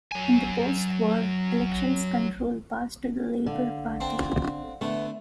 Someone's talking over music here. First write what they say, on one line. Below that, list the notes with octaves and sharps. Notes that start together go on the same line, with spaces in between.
In post-war elections control passed to the Labour Party.
F#3 G#5
D3 F5 F#5
C4 D4
D3 A3 B3 E5